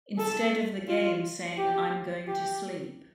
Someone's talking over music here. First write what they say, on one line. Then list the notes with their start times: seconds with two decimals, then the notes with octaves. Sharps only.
Instead of the game saying I'm going to sleep.
0.18 A4
0.87 F4
1.58 G4
2.27 G4